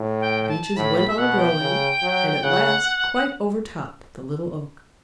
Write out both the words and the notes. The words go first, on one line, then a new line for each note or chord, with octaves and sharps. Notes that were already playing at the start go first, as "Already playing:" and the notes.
The Beeches went on growing, and at last quite overtopped the Little Oak.
Already playing: A2
G5
G5
A5
A2 B5
B5
E5
B2 F#5
G5
C#3
F#3
C#3 F#5